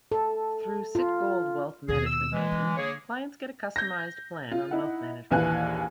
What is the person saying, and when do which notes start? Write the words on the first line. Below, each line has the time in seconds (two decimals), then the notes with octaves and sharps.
Through Citigold Wealth Management Banking, clients get a customized plan on wealth management.
0.12 A4
0.95 F4
1.88 D#2 B2 G#4
2.06 E6
2.32 E3 G#3
2.52 D3
2.77 A#3 G#4 C#5
3.76 G6 A#6
4.52 F4
4.71 D#4 E4 F#5
5.31 A#1 D#2 E3 G#5 F#6